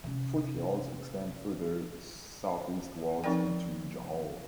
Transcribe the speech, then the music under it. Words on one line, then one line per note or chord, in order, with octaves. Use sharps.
Foothills extend further southeastwards into Johor.
C3 C#4
F3 C4 D#4 A#4 D5 G5